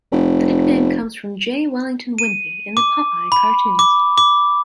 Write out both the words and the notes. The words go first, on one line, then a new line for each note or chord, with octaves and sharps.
The nickname comes from J. Wellington Wimpy in the Popeye cartoons.
F1
D#7
D6
B5
D6
D6